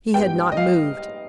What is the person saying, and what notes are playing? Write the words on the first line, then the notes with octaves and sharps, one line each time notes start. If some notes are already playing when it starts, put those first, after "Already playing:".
He had not moved.
G#2 G3 B3 G5
D#5
F5